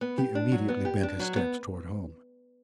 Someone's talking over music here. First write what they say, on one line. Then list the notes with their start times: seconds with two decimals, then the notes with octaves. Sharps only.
He immediately bent his steps toward home.
0.01 B3
0.18 G4
0.35 D4
0.52 F#3
0.69 B3
0.85 G4
1.03 D4
1.19 F#3
1.36 B3